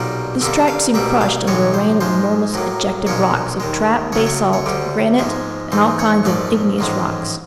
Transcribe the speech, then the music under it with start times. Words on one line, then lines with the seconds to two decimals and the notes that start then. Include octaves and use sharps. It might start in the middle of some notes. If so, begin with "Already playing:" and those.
This tract seemed crushed under a rain of enormous ejected rocks of trap, basalt, granite, and all kinds of igneous rocks.
Already playing: B1 A#2 G3 A#3
0.41 G2 D3 G3 A#3 E5
0.68 F5
0.94 C2 B2 G3 A#3 E5
1.21 F5
1.47 B1 A2 E3 G#3 C#5
1.74 C5
2.01 G#2 F3 G#3 C5
2.54 A2 F#3 A#3
3.07 B1 A#2 F3 G#3 C#5
3.60 D#2 D#3 G#3
4.12 C#2 C#3 F#3 A3 C#5
4.26 C#5
4.53 C#5
4.66 D2 D3 G3
5.19 G#2 F3 G#3
5.72 G#2 E3 A3 C5
5.99 C#5
6.25 A#1 G#2 F3 A3 D5
6.79 A1 G#2 F3 G#3